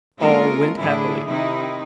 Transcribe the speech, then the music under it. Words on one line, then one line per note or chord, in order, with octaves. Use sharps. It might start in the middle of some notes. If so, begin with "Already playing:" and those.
All went happily.
G#3 A#3 C#4 F4 A4 A#4
A2 D3 D4 E4 G#4
C3 D#3 D#4 E4